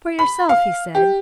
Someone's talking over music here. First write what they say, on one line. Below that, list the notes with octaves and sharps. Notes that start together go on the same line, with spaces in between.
'For yourself,' he said.
B5
F5
G4